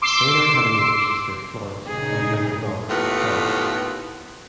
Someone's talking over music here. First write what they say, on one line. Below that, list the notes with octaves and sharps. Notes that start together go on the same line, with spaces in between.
Maynard had an older sister, Florence, and a younger brother, Thomas.
C6 D6 E6 C7
A#2 C#3 D#4 G#4
D#2 A2 B3 F4